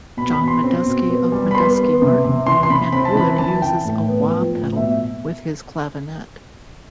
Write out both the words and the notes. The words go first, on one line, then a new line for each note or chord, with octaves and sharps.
John Medeski of Medeski, Martin, and Wood uses a wah pedal with his clavinet.
B2 B5
B5
B2
C6
C4
B2
B3
G3
B5
B3 C6
B3
C3
C3
E3 C6
C6
C3 B5
C4 B5
A5
E3 B5
E3 A5
E3 G5
A2
B3
F3
A2
B2 E5